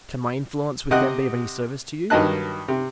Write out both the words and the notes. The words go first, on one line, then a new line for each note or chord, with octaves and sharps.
"Can my influence with them be of any service to you?"
C3 D#5 F#5 F#6
G2 D#3 F#3 D#5 A5 F#6
C3